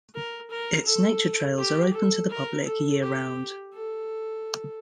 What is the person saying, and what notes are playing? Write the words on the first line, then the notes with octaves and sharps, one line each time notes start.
Its nature trails are open to the public year-round.
A#4
A#4
A4
G4
A4
A#4
A4
G4
A4